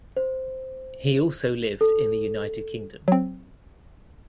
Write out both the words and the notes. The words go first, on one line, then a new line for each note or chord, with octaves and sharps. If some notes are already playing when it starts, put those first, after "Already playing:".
He also lived in the United Kingdom.
C5
A4
F#3 C4